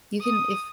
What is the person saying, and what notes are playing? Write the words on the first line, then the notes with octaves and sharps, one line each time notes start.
you can if
D#6